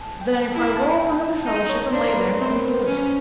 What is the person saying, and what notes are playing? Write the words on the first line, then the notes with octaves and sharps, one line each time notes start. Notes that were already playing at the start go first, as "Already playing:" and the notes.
'Then if I row up under the Fellowship and lay there, no need to whistle.
Already playing: G#5 A5
G5
E4 A5
A5
G5
D#4
C#5
C#5
D4 C5
A#4
B4
C4
C#4